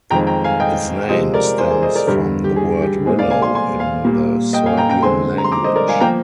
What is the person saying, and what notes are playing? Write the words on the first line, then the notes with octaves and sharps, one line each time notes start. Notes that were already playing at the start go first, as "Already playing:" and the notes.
Its name stems from the word "Willow" in the Serbian language.
F2 D#3 G#3 C4 G5 A#5
G5 A#5
F5 G#5
D#5 G5
C3 F3 G#3 C5 D#5
A#4 D5
G#4 C5
G#4 C5
C5 D#5
A#4 D5
G2 D3 G3 G4 A#4
G4
G#4
G4
A#2 G#3 C4 G#4
D5 F5
F5 G#5
G#5 C6
G#5 C6
F5 G#5
A#2 G3 A#3
D#5 G5
F5 G#5
G5 A#5
G5 A#5
D3 G#3 C4 G#5 C6
A#5
C6
A#5 D6
C5 D#5
A#4 D5
F5 G#5
F3 A#3 G5 A#5